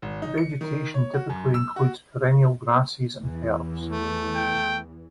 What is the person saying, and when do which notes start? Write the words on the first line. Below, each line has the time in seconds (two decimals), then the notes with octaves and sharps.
Vegetation typically includes perennial grasses and herbs.
0.02 G#1
0.22 D#4
0.38 C#7
0.61 D#3
0.94 C#5
1.14 F#4
1.29 F#2
1.54 E6
1.76 F#4
3.18 E2 E3
3.88 A3
4.36 G5